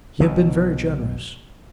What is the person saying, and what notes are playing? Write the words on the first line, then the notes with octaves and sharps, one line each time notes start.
He had been very generous.
B1 B2